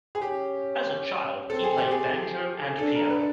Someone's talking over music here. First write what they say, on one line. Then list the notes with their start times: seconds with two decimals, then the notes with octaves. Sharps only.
As a child, he played banjo and piano.
0.15 G#4
0.21 C#4 G4
1.50 C4 A4
1.63 G#4
1.78 G4
1.91 G#4
2.78 D4 A4
2.95 A#4
3.10 B4